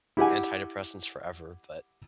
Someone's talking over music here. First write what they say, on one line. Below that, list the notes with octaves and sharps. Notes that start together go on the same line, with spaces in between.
antidepressants forever, but,
E4 G4 F#5 G#5